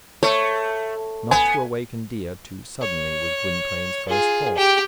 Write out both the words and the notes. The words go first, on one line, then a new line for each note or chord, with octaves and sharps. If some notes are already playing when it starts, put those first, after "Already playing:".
Not to awaken Dea too suddenly was Gwynplaine's first thought.
A3 C#5
B3 G#5
C#5
F4 G#4
G4 G5